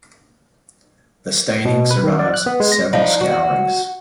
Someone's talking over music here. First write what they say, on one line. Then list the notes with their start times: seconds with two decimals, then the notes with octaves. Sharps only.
The staining survives several scourings.
1.65 B2
1.91 B4
2.04 D#3
2.19 D5
2.34 F#6
2.46 B3
2.60 G#3
2.72 A#6
2.93 F3 D4 D#4
3.21 F#4